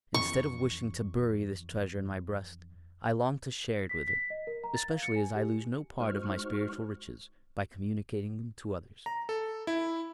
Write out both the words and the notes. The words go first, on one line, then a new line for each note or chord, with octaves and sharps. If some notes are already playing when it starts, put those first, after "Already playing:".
Instead of wishing to bury this treasure in my breast, I long to share it with you, especially as I lose no part of my spiritual riches by communicating them to others.
F2 E3 C#4 C#6
B6
B6
D#5
A#4
A#5
A6
F5
C#7
G#5
G4
G#3 D#4 F#4 C5 C#6 F6
A#5
A4
E4